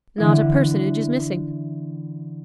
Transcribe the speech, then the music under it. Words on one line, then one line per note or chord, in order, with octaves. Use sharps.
Not a personage is missing.
D3 E3 E4